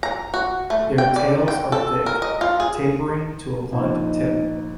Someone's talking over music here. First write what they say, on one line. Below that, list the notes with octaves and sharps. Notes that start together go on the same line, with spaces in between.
Their tails are thick, tapering to a blunt tip.
A#5
F#4
A3
G5
D5
G5
A4
A#4
D#5
F4
G#4
A#1 D#4